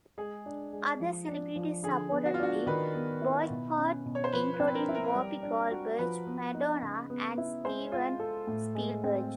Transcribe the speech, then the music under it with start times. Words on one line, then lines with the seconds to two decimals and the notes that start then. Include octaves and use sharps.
Other celebrities supported the boycott including Whoopi Goldberg, Madonna, and Steven Spielberg.
0.18 G#3 G#4
0.46 D4
0.73 G#3
1.00 F3
1.28 D4
1.56 F3
1.83 D3 G#4
2.11 B3
2.25 F#4
2.34 F4
2.39 D4 F#4
2.66 D#3 B4
2.95 B3
3.22 E4
3.50 B2
3.78 C#4
4.05 B2
4.15 C#5
4.24 C5
4.33 F3 B4
4.54 B4
4.60 C4
4.67 B4
4.74 A#4
4.89 E4
4.95 A#4
5.15 G3
5.43 D4
5.71 F#4
5.99 F3 B4
6.27 B3
6.54 D#4
6.82 C#3
7.10 B3
7.38 E4
7.64 G#3 C5
7.92 F4
8.20 A4
8.47 A2
8.75 G#3
9.04 C4